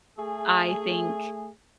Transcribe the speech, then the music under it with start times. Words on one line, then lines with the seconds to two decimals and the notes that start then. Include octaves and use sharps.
I think,
0.17 A3 G#4